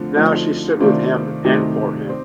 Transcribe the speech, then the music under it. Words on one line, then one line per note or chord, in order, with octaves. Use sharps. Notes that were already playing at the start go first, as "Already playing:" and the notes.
Now she stood with him and for him.
Already playing: D3 F3 A3 C4
D3 F3 A3 C4 D#4
C3 D#3 A3 C4 D4 F4
C3 D#3 A3 C4 D#4 G4
C4